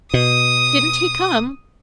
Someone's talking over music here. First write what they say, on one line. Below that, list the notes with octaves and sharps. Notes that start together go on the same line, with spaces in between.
"Didn't he come?"
B2 D#6